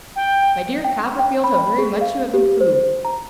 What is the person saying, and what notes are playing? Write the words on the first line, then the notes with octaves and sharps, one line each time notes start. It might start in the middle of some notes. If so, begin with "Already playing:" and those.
My dear Copperfield, how very much you have improved!
G5
G5
G5
B5
G#4
F5
G4
C5
A#5